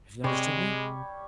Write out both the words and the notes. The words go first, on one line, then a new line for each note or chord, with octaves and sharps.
"Have you understood me?"
C3 G3 G#3 C#5